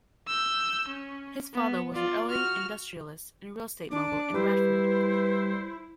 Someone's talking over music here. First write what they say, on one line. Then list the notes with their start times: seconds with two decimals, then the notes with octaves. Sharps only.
His father was an early industrialist and real estate mogul in Bradford.
0.27 E6 G6
0.88 C#4
1.54 B3
1.94 F4 D5
2.29 F#4 F6
3.91 D4 D6
4.34 G3 E4 B4 C5